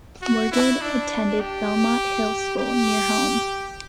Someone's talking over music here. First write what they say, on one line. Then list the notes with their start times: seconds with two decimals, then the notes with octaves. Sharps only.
Morgan attended Belmont Hill School near home.
0.22 F#4
0.52 E4
0.81 D4
1.40 G4
2.58 G4